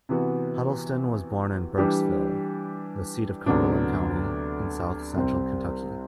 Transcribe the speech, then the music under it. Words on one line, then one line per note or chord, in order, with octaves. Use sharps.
Huddleston was born in Burkesville, the seat of Cumberland County in south central Kentucky.
C3 E3 B3 F#4
E3 G3 D4 G4
D2 C3 F#3 B3 D4
C2 C3 G3 C4